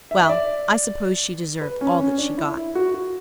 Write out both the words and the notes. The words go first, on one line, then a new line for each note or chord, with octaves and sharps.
Well, I suppose she deserved all that she got.
E5
E5
D5
B4
C#4
C#4
D4
E4
E4
F#4
F#4